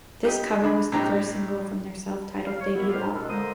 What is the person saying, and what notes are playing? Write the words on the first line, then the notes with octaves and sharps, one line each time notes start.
This cover was the first single from their self-titled debut album.
G4 D#5
D3 D4 B5
A2 C3 G#3 D4 G4 A#5
F5
C#5
D#3 A#3 B3 E4
F2 A2 G4 C5 F5
C2 B2 G#3 D4 A4 F6
A#2 D3 G#3 C5 A#5 D#6